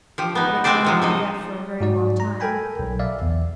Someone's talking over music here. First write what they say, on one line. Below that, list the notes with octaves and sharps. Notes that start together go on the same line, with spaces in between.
"But it may not be yet for a very long time."
F3 G4
B3 D#4
G#3 C4 G4 C5 D5
C3 F3 F#3
C3 D#4 D#5
G#2 F#4 D5
A#5
A4 A#4 G5 G#5 B5
B1
D5 E5 F5
E2